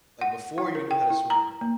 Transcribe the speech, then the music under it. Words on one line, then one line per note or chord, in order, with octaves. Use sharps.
like, before you knew how to swim,
F#5
E4
A#4
G5
E4
A#5
A#3